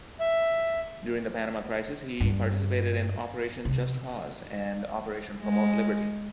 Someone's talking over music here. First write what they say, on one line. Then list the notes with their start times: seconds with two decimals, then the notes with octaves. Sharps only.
During the Panama crisis, he participated in Operation Just Cause and Operation Promote Liberty.
0.20 E5
2.20 G2
3.65 C3
5.41 G#3